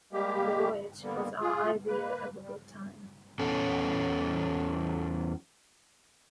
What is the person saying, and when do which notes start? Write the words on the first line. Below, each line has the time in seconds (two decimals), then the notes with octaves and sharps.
The voyage was our idea of a good time.
0.13 G3 G#3 A#3 G4
1.02 D3 G3 A#3 B3
1.41 F4 G#4
1.88 A#3 B4
2.42 G3
3.39 E2 B3 C#4 A4